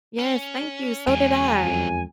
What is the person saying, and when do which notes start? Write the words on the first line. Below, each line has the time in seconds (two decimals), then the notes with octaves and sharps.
Yes, thank you, so did I.
0.19 C#4
1.07 E2 C#3 E3 F#3 G#3 G#5
1.63 F2